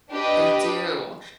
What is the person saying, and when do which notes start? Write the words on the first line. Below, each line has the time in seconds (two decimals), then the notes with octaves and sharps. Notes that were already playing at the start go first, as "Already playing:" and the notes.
They do.
0.12 D4 G4 B4 D#5